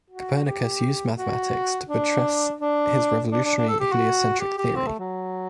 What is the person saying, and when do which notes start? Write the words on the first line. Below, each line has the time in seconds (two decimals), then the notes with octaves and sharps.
Copernicus used mathematics to buttress his revolutionary heliocentric theory.
0.10 F#4
0.45 G4
1.17 F#4
1.88 D4
2.60 D4
3.32 D4
3.45 D4
3.56 D4
3.68 A4
3.80 G4
3.92 F#4
4.40 G4
4.58 G4
4.76 C4
4.87 A3
4.99 F#3